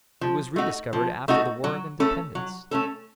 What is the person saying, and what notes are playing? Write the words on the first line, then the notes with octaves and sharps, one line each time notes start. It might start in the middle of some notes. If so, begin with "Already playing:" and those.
It was rediscovered after the War of Independence.
F3
A3 D#4 F#4
F3
A3 D#4 F#4
F#3
A3 C#4 A4
F#3
A3 C#4 A4